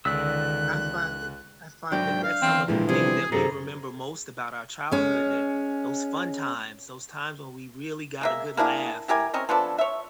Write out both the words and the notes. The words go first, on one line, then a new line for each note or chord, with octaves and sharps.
I find that I find that that's some of the things that we remember most about our childhood that those fun times, those times when we really got a good laugh and
C#2 D3 D#3 D5 E6 F#6 B6
G#2 F#3 D4 D5 G5
F5
E2 C4
A#2 D3 E3 F3 G#3
C3 G3 G#4
F#2 C3 G#4 A4 A#5
G#3 C#4
G#3 A#3 E5
A#3 D4 E4 G#4
E4 G4 A#4 G#5
C4 C#4 A#4 D#5
F3 B3 D4 A4
C#5 E5